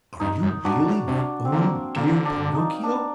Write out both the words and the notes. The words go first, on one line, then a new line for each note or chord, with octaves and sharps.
"Are you really my own dear Pinocchio?"
G2 D#4
F#2
G2 D4 F#4
A2
C3 D4
C4
D3 A#3
D3 A#3
D4
D#4
D4